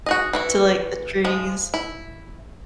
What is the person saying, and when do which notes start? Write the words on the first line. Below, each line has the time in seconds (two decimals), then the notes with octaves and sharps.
to, like, the trees.
0.06 F#4 G#4 D#5
0.33 E3 E4 F#4
1.25 F3 G#3
1.74 E4